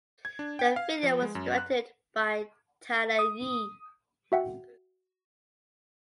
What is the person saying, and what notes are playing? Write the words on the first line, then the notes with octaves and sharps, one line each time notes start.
The video was directed by Tyler Yee.
G#6
D4
G5
F5
F3
G#3
F#2
F#6
D#6
F#4 E5 F#5 G5